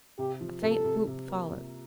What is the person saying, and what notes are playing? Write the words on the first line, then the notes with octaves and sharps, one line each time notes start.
A faint whoop followed.
C3 G4
F3
C3 A4
C3
C3
A#3
C3